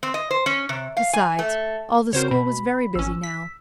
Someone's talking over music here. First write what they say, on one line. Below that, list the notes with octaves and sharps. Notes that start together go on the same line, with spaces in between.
Besides, all the school was very busy now.
C4
D#5
C5
C#4
C3
F5
G#5
A3
C#3 C4 F#4 A#4 C5 C#5
B2 B5
G#1 C#4 E6
B6